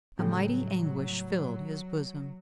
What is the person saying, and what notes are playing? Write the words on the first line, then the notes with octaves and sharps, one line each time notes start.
A mighty anguish filled his bosom.
A2 C#3 F#3 G3 A4 G5